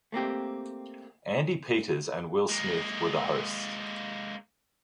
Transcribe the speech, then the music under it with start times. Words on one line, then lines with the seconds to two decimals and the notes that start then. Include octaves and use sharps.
Andi Peters and Will Smith were the hosts.
0.12 A3 A#3 C4 G4
2.49 G#3 A#3